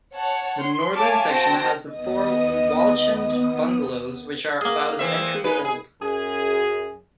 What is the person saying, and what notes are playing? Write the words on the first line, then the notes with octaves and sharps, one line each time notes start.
The Northern Section has the four Walchand Bungalows, which are about a century old.
C#5 F#5 A5
C6
C#5 E5 F5 G#5 A5 D6
C4 F#4 G5 A5 A#6
D#2 B3 D#5 D#6
A#3 G#4
E3 C4 E5
G#3 D#4 B4
G#4
F#2 G#4